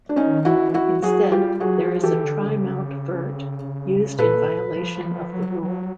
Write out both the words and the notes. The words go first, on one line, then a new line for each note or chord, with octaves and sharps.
Instead, there is a trimount vert used in violation of the rule.
D4
D#3 C#4 D#4
E3 E4 F#4
E4 F#4
F#3 F#4 G#4
G3 F4 G4
F#3 F#4 G#4
F3
E3 G4 A4
D3
C#3
A#2 A4 B4
F3
F3
F#3
F#3